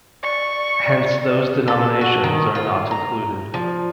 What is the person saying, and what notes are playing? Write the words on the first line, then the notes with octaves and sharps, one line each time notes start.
Hence those denominations are not included.
D5 C#6
A4
F#4
D#3
F4
A#5
F3